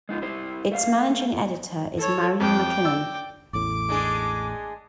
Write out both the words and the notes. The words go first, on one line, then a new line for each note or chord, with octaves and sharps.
Its managing editor is Marion MacKinnon.
G#3 D#4 F4
E4 G4 C5
A3 E5 F5
A4 C#5
F2 F3 G5 D6
D5 E6
A1 E2 A2 D6
G#3 D4 G#4